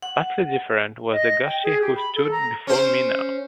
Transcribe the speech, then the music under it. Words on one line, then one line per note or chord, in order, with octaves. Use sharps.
Vastly different was the Gussie who stood before me now.
F#5
D#5
G5
G#4
G4
B5
A4
A#5
C#4 C5